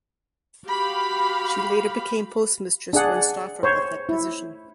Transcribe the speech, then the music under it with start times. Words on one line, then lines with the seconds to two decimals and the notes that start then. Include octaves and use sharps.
She later became postmistress when Stauffer left that position.
0.68 F#4 G4 F5 B5
2.93 D4 G#4 F#5
3.63 C5 C#5
4.09 E4